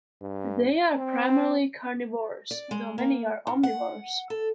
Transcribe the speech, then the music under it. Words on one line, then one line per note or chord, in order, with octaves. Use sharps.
They are primarily carnivorous, though many are omnivorous.
G2
C4
D5
G#3
A#3
G#2
F#5
A4